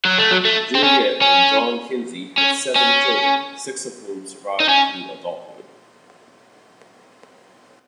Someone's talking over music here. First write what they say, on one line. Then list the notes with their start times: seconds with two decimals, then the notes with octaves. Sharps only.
Juliette and John Kinzie had seven children, six of whom survived to adulthood.
0.05 F#3
0.18 A3
0.31 F#3
0.45 A3
0.75 C4
0.83 C#4
1.22 C#4
2.38 C#4
2.76 C#4
4.60 D#4
4.69 C#4